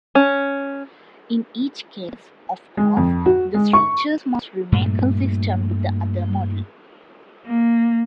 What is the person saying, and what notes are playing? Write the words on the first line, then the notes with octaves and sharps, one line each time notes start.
In each case, of course, the structures must remain consistent with the other model.
C#4
G#3
F2
F#4
G#3
C#6
G2 A#2 A3
A#3